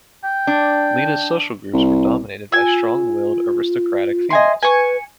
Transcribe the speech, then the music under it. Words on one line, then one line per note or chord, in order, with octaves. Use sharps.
Lina's social groups were dominated by strong-willed "aristocratic" females.
G5
D4
C2
F4 G#5 E6
D#5 E5 G#5 C6
B4 G#5 C#6